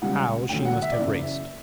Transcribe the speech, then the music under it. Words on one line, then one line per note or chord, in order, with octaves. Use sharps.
How she must have raced!
C#2 C#3 G3 F#5
E1 D2 D3 F#3 G5
F#5
E5
D5
F#1 E2 C#3 E3 E5